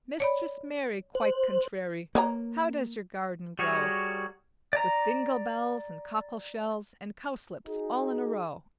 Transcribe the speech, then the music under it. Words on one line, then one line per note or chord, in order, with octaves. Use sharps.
Mistress Mary, quite contrary, How does your garden grow? With dingle bells and cockle shells And cowslips, all in a row.
C#5 D5 B5
C5 F#6
A#3 B4 C#5 A#5
G3 F#4 G#4 A#4 C#5
D5 A#5
D#4 F#4 G#4